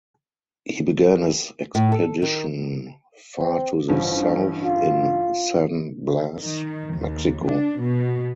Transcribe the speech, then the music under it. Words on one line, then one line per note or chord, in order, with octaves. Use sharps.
He began his expedition far to the south in San Blas, Mexico.
A2
A4
D#3
C4
A1 G2 D3 F3
F4
D#3
D#2
D4
B2